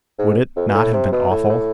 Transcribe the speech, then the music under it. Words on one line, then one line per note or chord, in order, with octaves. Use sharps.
Would it not have been awful?
G#2
F2
B2
A2
C3
B2
A2
A2